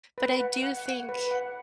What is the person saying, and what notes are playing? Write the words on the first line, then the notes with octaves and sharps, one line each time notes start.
but I do think
B4
F#5
F#5
F#5
B4
F#5